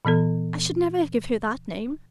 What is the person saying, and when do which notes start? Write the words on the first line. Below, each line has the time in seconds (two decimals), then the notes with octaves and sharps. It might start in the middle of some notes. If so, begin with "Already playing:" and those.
I should never give her that name.
0.05 A#2 E3 B3 A4